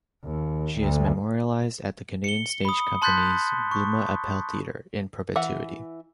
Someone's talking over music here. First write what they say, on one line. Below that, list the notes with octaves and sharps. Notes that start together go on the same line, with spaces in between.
She is memorialized at The Canadian Stage Company's Bluma Appel Theatre in perpetuity.
D#2
D2
C#7 G7
B5 D#6
A5 C6 F#6 G6 A6 B6
C#6
E3 E5 F#5